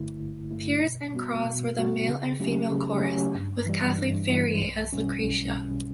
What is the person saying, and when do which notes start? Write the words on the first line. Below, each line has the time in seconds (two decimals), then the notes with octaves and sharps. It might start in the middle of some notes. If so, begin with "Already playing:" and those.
Pears and Cross were the Male and Female Chorus, with Kathleen Ferrier as Lucretia.
Already playing: G1 G2 D3 A3 E4
0.19 G1
0.51 G2 D3 A3 E4
0.83 B2
1.14 G3 B3 F#4
1.45 B2
1.78 G3 B3 F#4
2.09 C#3
2.40 F#3 A3 C#4 G4
2.71 C#3
3.03 F#3 A3 C#4 G4
3.35 G2
3.66 E3 G3
3.98 G2
4.30 E3 G3
4.61 B1
4.93 B2 G3 C#4
5.23 B1
5.56 B2 G3 C#4